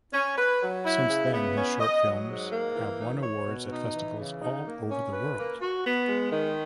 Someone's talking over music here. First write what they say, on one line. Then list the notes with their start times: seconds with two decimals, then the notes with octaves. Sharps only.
Since then his short films have won awards at festivals all over the world.
0.13 C#4
0.37 B4
0.61 F#3
0.85 E4
1.08 C#3
1.32 B3
1.56 C#4
1.80 D#5
2.03 F#3
2.27 G#2
2.51 A#3
2.75 E3
2.99 D#4
3.22 C#5
3.46 B2
3.71 D#4
3.94 E3
4.17 C#3
4.41 D#4
4.66 A#3
4.89 C#4
5.13 B4
5.37 A#3
5.61 F#4
5.85 B3
6.08 G#3
6.32 D#3